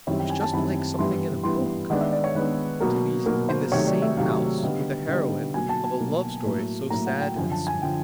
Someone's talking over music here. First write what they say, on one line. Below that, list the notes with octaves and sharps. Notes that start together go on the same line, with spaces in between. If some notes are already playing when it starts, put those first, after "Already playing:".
"It was just like something in a book," to be in the same house with the heroine of a love-story so sad and sweet.
F#2 D#3 G3 C4 E4 C#5
G5
G#5
A5
F#2 D#3 G3 C4 E4 B5
G2 E3 G3 B3 E4 C6
G2 E3 G3 B3 E4 C6
D#3 G#3 B3 D4 F#5
E5
D5
C#5
D#3 G#3 B3 D4 B4
B2 F#3 A#3 A#4
B2 F#3 A#3 A#4
C5
C3 D#3 F#3 A3 C#5
D5
E5
C3 D#3 F#3 A3 F5
D3 G3 B3 D#4
D3 G3 B3 D#4
B2 F#3 A#3 G#5
A5
A5
B2 F#3 A#3
A2 F#3 A#3
A2 F#3 A#3 A#5
F#5
G5
F#2 D3 F3 G#5
A5
G#5
D3 F3 G5